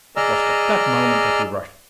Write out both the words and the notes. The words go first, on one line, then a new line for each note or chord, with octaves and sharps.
It was at that moment that he rushed me.
G#4 D5 D#5 A#5 E6 F6